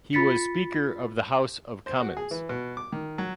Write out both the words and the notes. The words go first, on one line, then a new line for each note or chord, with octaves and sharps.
He was Speaker of the House of Commons.
F4 B5 A6 B6 C#7
C5
F#4
G#4
E3
B2
D6
D#3
F#3